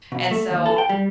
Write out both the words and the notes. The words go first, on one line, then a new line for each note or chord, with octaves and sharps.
and so,
B2
A3
D#2
A4
G5
G3